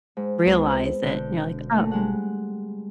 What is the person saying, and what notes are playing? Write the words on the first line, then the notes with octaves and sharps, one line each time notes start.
realize it, you know, like, "Oh"
G#2
C#2 B3 C4
E1 D3 G6
A#2 A3
G3 G#3 F#5